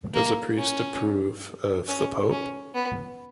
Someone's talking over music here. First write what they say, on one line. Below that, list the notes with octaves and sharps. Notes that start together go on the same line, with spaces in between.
Does a priest approve the Pope?
A#3
C#4
C#4
C#4
B3